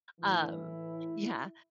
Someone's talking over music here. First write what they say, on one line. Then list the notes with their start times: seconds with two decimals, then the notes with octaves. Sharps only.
Um, yeah.
0.20 A2 E3 E4